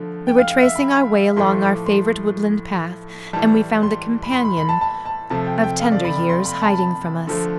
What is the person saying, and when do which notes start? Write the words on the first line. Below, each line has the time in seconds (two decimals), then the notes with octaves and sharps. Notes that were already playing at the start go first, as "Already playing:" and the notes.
We were tracing our way along our favorite woodland path; and we found a companion of tender years, hiding from us.
Already playing: D3 F3 A3
0.27 G5
0.38 F5
0.50 F5
0.62 E5
0.75 B5
1.36 A2 F3 A3 C6
1.62 D6
1.86 C6
3.33 A2 E3 G3 A5
3.83 C6
4.23 B5
4.32 C6
4.45 B5
4.57 B5
4.69 A5
4.81 A5
5.06 A5
5.30 C3 F3 A3 A5
5.47 G5
5.64 G5
5.80 F5
5.92 D5
6.05 B5
6.16 B5
6.29 C6
6.46 B5
6.62 A5
6.74 B5
6.78 A5
7.27 D3 F3 A3